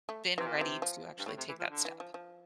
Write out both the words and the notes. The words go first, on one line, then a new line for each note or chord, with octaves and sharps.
been ready to actually take that step.
A3
C3 E3
A#2
C3 E3
F3
G2
A2 A3
C3
E3
F3
D3
E3
F3
F3